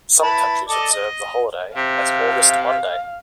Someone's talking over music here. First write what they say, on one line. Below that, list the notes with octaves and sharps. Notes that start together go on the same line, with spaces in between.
Some countries observe the holiday as "August Monday".
E4 B4 A5
A4 D5 D#5
D#5
C3 F5